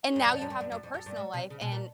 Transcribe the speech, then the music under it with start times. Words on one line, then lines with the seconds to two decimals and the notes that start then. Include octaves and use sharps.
And now you have no personal life and
0.16 G2
0.25 F#2
0.33 F2
0.41 F#2
0.50 G2
0.61 F#2
0.72 F#2
0.83 F2
0.94 F#2
1.06 G2
1.16 G#2
1.34 C3
1.50 C#3
1.61 B2
1.72 A#2